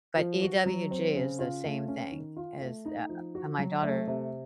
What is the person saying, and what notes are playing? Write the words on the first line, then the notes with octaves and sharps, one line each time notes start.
But EWG is the same thing as, uh and my daughter
F3
F#4
F#3
C4
C#3
F4
A3
C#4
D#3
F4
A3
D#4
F3
F#4
F#3
A3
C3